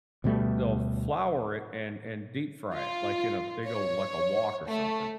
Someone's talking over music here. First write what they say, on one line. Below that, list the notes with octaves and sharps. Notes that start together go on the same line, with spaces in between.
they'll flour it and and deep-fry it, like in a big ole like a wok or something,
D2 B2 G3 A3
F4
C#5
A3